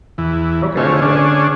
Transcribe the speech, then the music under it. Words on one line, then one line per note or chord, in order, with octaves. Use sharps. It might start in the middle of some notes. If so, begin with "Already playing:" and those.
Okay, right.
E2 E3
D3 A3 C4 F4 G#4 C#5
D3 C#4 D4 G#4